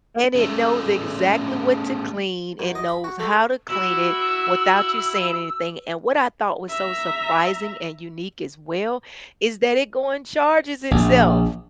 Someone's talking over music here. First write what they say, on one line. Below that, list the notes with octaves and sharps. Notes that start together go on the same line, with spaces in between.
And it knows exactly what to clean, it knows how to clean it without you saying anything and what I thought was so surprising and unique as well, is that it go and charges itself.
C#3 A3
F#2
D#5
B5
F#4
A3
E4 F#4 E6
E5 A#5
A#1